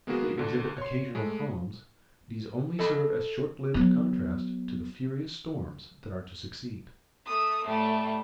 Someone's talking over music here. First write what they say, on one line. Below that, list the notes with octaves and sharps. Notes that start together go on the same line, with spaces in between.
If they exhibit occasional calms, these only serve as short-lived contrast to the furious storms that are to succeed.
G#3 A#3 B3 F#4 G#4
D2 D3
C#5 C6
G#3 A3
A4 D#5 B5
F#3 B3
A3 D#6
A2 G3 A3